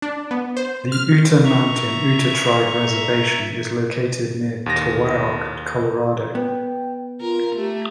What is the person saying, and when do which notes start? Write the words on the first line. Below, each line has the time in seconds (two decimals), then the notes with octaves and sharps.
The Ute Mountain Ute Tribe Reservation is located near Towaoc, Colorado.
0.02 D4
0.31 B3
0.57 C5
0.92 F6
1.45 E5 A#5 C#6
4.66 D#2 A#6
6.35 B3 G5
7.21 F4 A#4
7.56 A3 G4